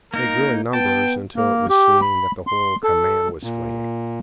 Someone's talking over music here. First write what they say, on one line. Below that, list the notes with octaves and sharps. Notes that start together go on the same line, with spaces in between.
They grew in numbers until it was seen that the whole command was fleeing.
A#3 D#4 A#4
B3 G5 A5
A#3
G4
B5
C6
A4
A#2